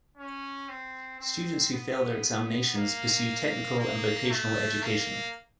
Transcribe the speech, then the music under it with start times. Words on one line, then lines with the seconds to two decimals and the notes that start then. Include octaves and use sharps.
Students who fail their examinations pursue technical and vocational education.
0.17 C#4
0.69 C4
1.20 C4
1.73 B3
2.76 A#3
3.79 A#3
4.31 A3
4.83 A#3